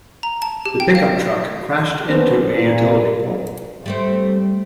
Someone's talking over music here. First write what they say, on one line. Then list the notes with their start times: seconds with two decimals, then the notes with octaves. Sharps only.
The pickup truck crashed into a utility pole.
0.23 A#5
0.42 A5
0.66 G4
0.80 G5
0.95 F5
2.07 A#3 B3 C#4 D4 B4 C5
2.52 A#2
3.86 G3 A3 C4